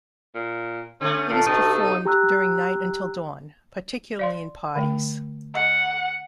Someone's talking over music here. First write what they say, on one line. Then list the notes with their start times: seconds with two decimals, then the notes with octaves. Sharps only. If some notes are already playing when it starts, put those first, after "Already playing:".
It is performed during night until dawn particularly in parties.
0.35 A#2
1.01 D3 A3 C#4
1.29 A#2 A4
1.46 G2 B2 D#4
2.05 G4 A#5 E6 F#6
4.19 D5 F5 C6
4.75 D3 A3 G5
5.54 D#5 F#5